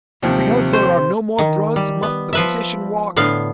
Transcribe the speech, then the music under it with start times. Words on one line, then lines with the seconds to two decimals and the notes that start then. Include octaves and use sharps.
"Because there are no more drugs must the physician walk?"
0.22 D#2 C3 F3
0.73 C5
1.38 D#3
1.76 G3
2.03 B3
2.33 F3 B4 E5
3.16 A2 D3 B3 F5